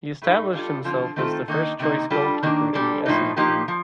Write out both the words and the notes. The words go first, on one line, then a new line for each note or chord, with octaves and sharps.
He established himself as the first-choice goalkeeper in the Essen team.
A2 A3 D#4
G3 D4 F4 A4
D3 F3 C4 F4
D#3 A3 C4 F4 A4
D#3 A#3 D#4
C3 D#3 A#3 D#4
G3 D4 F4 A4
D#3 A#3 D4
A#2 G3 D4 A4
A2 F3 A#3 D#4
F3 A#3 D#4 G4
F3